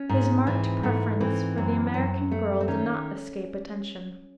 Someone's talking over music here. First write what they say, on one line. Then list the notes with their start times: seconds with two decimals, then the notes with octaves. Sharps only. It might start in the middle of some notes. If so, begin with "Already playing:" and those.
His marked preference for the American girl did not escape attention.
Already playing: C#4
0.09 G#2
0.47 E3 C4
0.83 G#2 A3
1.20 E3 C4
1.58 F#2
1.94 F#2
2.31 A3
2.60 C4
2.68 D#3 C#4